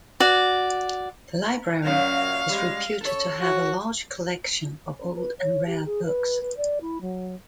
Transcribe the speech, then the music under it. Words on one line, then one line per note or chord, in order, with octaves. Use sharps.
The library is reputed to have a large collection of old and rare books.
F#4 D5
F#2 A#2 F#3 F5
G3 G#3
A4 C#5
F#4
C#4
B4
C#5
G4
G#4
B4
B4
D5
E4
F#3